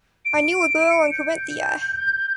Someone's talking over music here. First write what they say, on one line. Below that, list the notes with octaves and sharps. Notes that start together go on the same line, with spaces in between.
I knew a girl in Carinthia.
D7
C#7
G6
G6